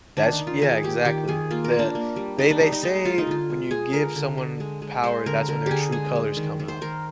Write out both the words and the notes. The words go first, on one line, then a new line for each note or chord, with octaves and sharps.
That's yeah, exactly. The they they say when you give someone power, that's when their true colors come out.
D#3 D4
D#4
D#3
F4
D#3 G#4
A#3 G4
D#3 G4
D#3 G#4
A#3 F4
A#4
A#3
D4
A#3
G3
G3 D#4
D4
G3 D#4
D#4
G#3 D#4
G#3 F4
D#4
D3 F4
G#3
G#3 G#4
D3 A#4
D3
D3
G#3
G#3
G#3 C5
D3 A#4
D3 A#4
D3 G4 G#4
G#3 G#4
G#3
D#3
D#3
C5
D#3 A#4